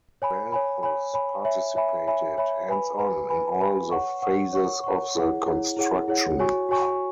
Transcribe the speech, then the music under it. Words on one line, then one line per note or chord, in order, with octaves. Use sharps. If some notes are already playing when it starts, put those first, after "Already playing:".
Balthus participated "hands on" in all the phases of the construction.
C#5 G#5 B5
C#5 G#5 B5
C#5 G#5 B5
C#5 G#5 B5
C#5 E5 G#5 B5
C#5 E5 G#5 B5
C#5 E5 G#5 B5
C#5 E5 G#5 B5
B4 G#5 B5
B4 G#5 B5
B4 G#5 B5
B4 G#5 B5
C#5 F#5 C#6
C#5 F#5 C#6
C#5 F#5 C#6
C#5 F#5 C#6
E4 G#4 C#5 F#5
E4 G#4 C#5 F#5
E4 G#4 C#5 F#5
E4 G#4 C#5 F#5
F#4 C#5 G#5 C#6
F#4 C#5 G#5 C#6